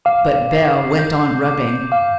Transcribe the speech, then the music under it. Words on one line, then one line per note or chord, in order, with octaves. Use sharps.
But Bell went on rubbing.
F5 D6
C7
G6
D6
F5 D6